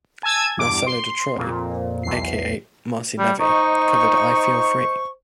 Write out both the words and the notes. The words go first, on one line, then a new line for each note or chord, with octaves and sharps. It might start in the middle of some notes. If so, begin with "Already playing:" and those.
Marcella Detroit, aka Marcy Levy, covered "I Feel Free".
G#5 A5 E6 G#6
E2 G2 D6 D7
C6
F2 A#2
B1 E2 C7
G3
D#4 C5 D#5 C#6